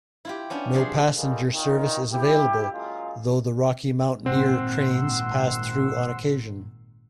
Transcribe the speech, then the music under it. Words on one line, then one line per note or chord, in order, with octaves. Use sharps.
No passenger service is available, though the Rocky Mountaineer trains pass through on occasion.
E4 F4 G4
B3 C#4 D4 G4
C3 F3 G3 F4 G#4 C5
A2 G3 G#3 A#3
A#2 D#3
E4 G4
F#2 A#2 G#3 F4
G#1 A#2 C4 F#5 C6 E6